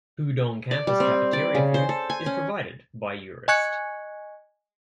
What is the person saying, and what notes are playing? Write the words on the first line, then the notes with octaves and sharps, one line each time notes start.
Pudong campus cafeteria food is provided by Eurest.
D5
G3
C4
D5
C#3
C5
A4
G#5
C#4
D#5 G#5 C#6 F#6 G#6 C#7